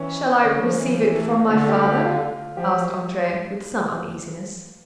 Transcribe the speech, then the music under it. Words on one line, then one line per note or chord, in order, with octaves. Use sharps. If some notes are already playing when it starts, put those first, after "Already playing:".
"Shall I receive it from my father?" asked Andrea, with some uneasiness.
Already playing: E3 C#4
D3 C#4
F3
E3
F3
E3
A3
A#3
D3 A3
G4
G4
F4
F3 G4
G3
F3